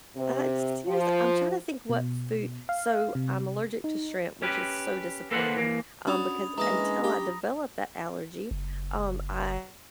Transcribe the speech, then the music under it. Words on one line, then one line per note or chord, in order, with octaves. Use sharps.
Uh, it's serious I'm trying to think what food so I'm allergic to shrimp, which is so disappointing, um, because until I developed that allergy, um, I
C3
F3
B2
F5
C3
D#4
C#4 G4 B4
A#3 A4 B4 C5 F#5
E3 A#3
C#4 D4 F#4 B5 D#6 F7
E3 G#3 A#3 A#5 D#6 A#6
G4
F#1